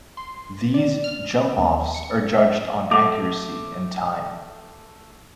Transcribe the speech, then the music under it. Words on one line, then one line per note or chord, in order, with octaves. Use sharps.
These "jump-offs" are judged on accuracy and time.
C6
D5
F6
B3
D#2
C#7
E5
A3 D6 F7